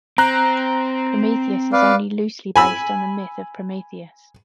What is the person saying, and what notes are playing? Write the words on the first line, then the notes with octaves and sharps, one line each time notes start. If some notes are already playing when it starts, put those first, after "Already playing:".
"Prometheus" is only loosely based on the myth of Prometheus.
C4 A#5 F#6
B4 D5 F5
G#5 B5 E6